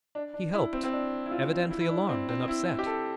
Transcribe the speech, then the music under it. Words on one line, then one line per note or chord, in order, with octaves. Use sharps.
He helped, evidently alarmed and upset.
D4
D4
E4
C4
C4
D4
E4
F4
E4
E4
D4
C4
C4
E4
G4
A4